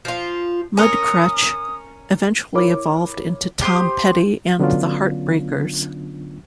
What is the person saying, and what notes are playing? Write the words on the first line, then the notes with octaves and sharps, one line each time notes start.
Mudcrutch eventually evolved into Tom Petty and the Heartbreakers.
F3 F4
C#4 A#4 D#6
E4 A#4 C#5 D6
G4 C5 C6 D#6
D3 F#3 B3 C#4 D4 F4